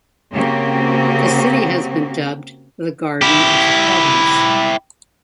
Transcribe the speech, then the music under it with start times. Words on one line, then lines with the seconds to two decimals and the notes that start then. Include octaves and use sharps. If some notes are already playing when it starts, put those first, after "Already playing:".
The city has been dubbed "The Garden of the Province".
0.34 C#3 A#3 C4 F#4 G4
3.22 E4 G4